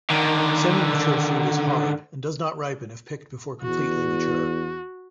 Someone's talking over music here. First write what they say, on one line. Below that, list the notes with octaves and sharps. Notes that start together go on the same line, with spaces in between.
Semi-mature fruit is hard and does not ripen if picked before completely mature.
D3 D#3
E2 F#4